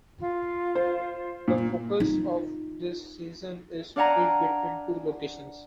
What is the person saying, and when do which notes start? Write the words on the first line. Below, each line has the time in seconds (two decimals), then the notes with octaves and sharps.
The focus of this season is split between two locations.
0.20 F4
0.75 C5
1.48 A#2
2.00 D#4 F4
3.96 D4 D5 F5 F#5 G#5 A#5